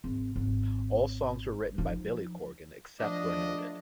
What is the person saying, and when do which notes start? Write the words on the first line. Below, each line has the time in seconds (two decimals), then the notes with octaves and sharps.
All songs were written by Billy Corgan, except where noted.
0.04 G#1
0.36 G#1
1.78 F3 D#4
2.99 F3 A3 D4 D5 D#5